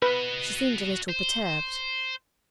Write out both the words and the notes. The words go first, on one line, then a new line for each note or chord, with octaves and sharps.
She seemed a little perturbed.
F#4 B4 D#5
C5